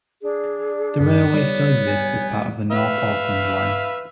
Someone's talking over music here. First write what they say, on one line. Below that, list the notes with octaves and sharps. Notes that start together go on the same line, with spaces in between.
The railway still exists as part of the North Auckland Line.
D4 G#4
G2 B3
G3 C#5
G#5
B4 E5 F5